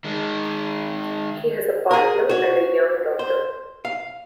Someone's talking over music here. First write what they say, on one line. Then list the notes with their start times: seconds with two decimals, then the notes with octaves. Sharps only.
He has a partner and a young daughter.
0.04 D#3 G#3
1.91 G#4 A#4
2.29 F#4 C#5
3.19 C5
3.85 F5